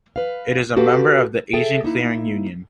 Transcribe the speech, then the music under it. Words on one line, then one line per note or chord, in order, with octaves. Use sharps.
It is a member of the Asian Clearing Union.
B4 F5
F#4 G4 A4 B4 F5
G#4 A4 E5 G5
A#3 D#4 E4